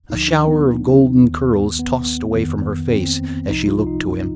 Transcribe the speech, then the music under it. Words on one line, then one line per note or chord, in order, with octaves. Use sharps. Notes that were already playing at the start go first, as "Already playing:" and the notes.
A shower of golden curls tossed away from her face as she looked to him.
D2 D3 F3 D#4
D4
B3
D#2 D#3
B3
F2 D#3
C4
C2 C3 F3 D#4
F4
D#4